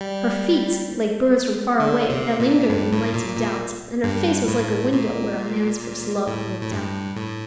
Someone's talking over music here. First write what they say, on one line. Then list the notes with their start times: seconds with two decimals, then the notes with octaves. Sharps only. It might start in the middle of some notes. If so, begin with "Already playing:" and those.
Her feet like birds from far away That linger and light in doubt; And her face was like a window Where a man's first love looked out.
0.01 G3
1.80 D3
2.10 C3
2.40 A#2
2.70 G2
2.92 A2
3.14 A#2
3.36 A#2
4.04 G2
4.48 A2
4.93 A#2
6.27 A2
6.61 A2
6.72 G2
7.16 A2